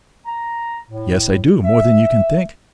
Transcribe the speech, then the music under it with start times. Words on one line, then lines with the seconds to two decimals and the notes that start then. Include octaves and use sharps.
"Yes, I do; more than you can think."
0.25 A#5
0.89 A2
1.64 E5